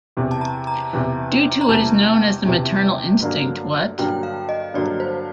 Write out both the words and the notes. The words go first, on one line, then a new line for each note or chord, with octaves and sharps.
Due to what is known as the maternal instinct, what?
E2 C3 E3
A5
A#5
A#5
E2 C3 E3
A#5
E2 C3 E3 A5
E2 C3 E3
G2 D3 F#3 A#3
G2 D3 F#3 A#3 G5
F5
D#5
G2 D3 F#3 A#3 D5
C5